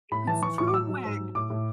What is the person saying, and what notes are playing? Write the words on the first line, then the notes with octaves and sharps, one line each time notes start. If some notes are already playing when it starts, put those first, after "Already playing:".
if it's too wet,
A2 B5
E3 A5
E3 C#6
A2 C#6
D6
F#3 E6
F#3
G#2
F#3
A2 D6
A2